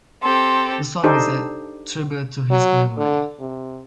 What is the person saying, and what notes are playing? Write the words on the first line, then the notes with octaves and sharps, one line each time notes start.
The song is a tribute to his memory.
C4 G4 A4 C6
D4 D#4 G4 A4 C5
F#3
D3
C3